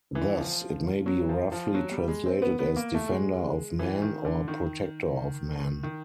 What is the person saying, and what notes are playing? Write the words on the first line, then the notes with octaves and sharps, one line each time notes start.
Thus it may be roughly translated as "defender of man" or "protector of man".
E3
F3
F#3
F3
F3
F#3
G3
G#3
C4
B3
B3
A#3
A3
G#3
E3
D#3
D3
D#3
D#3